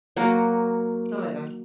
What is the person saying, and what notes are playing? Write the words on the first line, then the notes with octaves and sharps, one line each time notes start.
Oh my gosh.
F#3 A#3 F#4 A#4